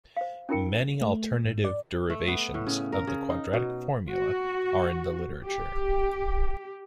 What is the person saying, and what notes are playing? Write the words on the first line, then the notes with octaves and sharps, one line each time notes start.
Many alternative derivations of the quadratic formula are in the literature.
C5 F5
C#4 D#4 F4 A#4 G5
A3
G#2
D5
A3
B3
A2
C#3
A#4
C#3
D#4
B2
F#4
G4